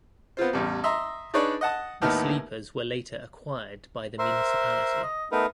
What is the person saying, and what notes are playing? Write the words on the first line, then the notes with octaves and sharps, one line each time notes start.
The sleepers were later acquired by the Municipality.
B3 C4 F4 C5
A1 E2 G3
D#5 E5 A#5 C6
D4 D#4 G#4 B4 C#5 D5
D#5 F#5 A5 D#6
D#2 A2 B3 D#4 F6
A#4 C5 E5 C6
D#5
A3 B3 D#4 A#4 B4